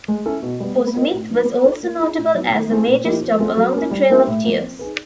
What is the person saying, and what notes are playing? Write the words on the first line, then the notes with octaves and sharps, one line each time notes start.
Fort Smith was also notable as a major stop along the Trail of Tears.
G#3
C#4 E4 A4
B2
G3 B3
A3
C4 F4 A#4 D#5
A2
F#3 B3 D#4
A#3
D4 F4 A4 C#5
A#3
D#4 G#4
A2
F#3 B3 D#4
D#3
G#3 C4 E4 G#4
A#2
F3 A#3 D#4 G4
F3
G#3 C4 F4 A4
F#3
A#3 C#4
G3
A#3 C#4 E4 G4
A2
F3 A#3
C4
D#4 G#4 B4